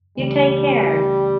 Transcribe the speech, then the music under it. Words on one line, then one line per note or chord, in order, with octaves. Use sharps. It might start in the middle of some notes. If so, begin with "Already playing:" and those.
You take care.
C#2 C#3 E3 G3 A3 C#4